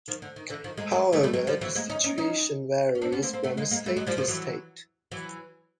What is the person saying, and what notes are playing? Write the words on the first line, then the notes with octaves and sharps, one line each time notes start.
However, this situation varies from state-to-state.
D#3 F3
D3
D#3
D3 E3
D#3 F3
G#3 A#3
F#3 G#3
G3 A3
G3 A3
F#3 G#3
F3 G3
E3 F#3
G#3 A#3
C#4 D#4
C#4 D#4
C#4 D#4
C#4
C4 D4
B3 C#4
A#3 C4
A#3 C4
A3 B3
G#3 A#3
G#3 A#3
G3 A3
F#3 G#3
F3 G3
D#3 F3
E3 F#3
E3 F#3